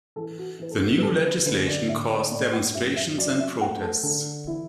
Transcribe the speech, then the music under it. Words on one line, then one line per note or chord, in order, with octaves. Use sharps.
The new legislation caused demonstrations and protests.
E3 A4
F#4
E3 B4
A4
F#4
B4
D3 A4
B4
D3 B4
D5
A2 E5
D5
A2 D5
F#5
F#2 E5
E5
F#3 D5
E5
A3 F#5
A4
D3 A4
E3 E4